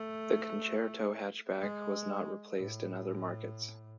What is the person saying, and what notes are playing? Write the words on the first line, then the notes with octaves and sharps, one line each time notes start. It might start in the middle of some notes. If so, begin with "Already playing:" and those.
The Concerto hatchback was not replaced in other markets.
Already playing: A3
G#3
A2